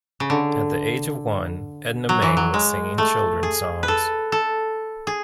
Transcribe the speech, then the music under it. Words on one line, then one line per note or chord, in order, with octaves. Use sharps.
At the age of one, Edna Mae was singing children's songs.
C#3
D3
F#3
E3
F#3
G#3
A3
G#4
B4
A4
A4
G#4